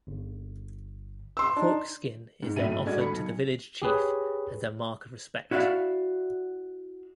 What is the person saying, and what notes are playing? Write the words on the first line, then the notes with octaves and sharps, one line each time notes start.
Pork skin is then offered to the village chief as a mark of respect.
G1
C6 E6
D4 D#4
G#2
B1 A2 F#3 E5 D#7
A2 E5
G2 G#3 F#4 A4 D5 G#6
D3 B5 C#7
B1
G4 G#4 B4 C#5
E4 F#4 D5 E5 F5